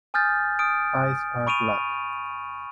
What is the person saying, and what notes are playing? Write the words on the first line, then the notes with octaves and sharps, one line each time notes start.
Eyes are black.
G#5 D#6 F6 G6 A6
D#6 F6 D7
B5 C#6 D7 D#7 F7